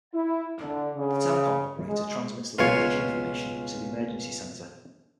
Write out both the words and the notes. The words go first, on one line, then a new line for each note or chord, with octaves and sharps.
The telecom operator transmits the location information to the emergency centre.
E4
D3
C#3
G#3
C#2 B2 F4 C#5 F5